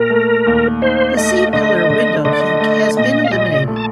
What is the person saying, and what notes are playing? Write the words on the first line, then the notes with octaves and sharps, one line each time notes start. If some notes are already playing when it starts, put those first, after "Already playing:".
The C-pillar window kink has been eliminated.
Already playing: A#2 A#4
A3
D#2
D#4 C5
A3 D#5
D3 D#5
D3
D3 D#5
D5
D#5
A3
A#2 D#5
F5
A#1 D#5
A3
A5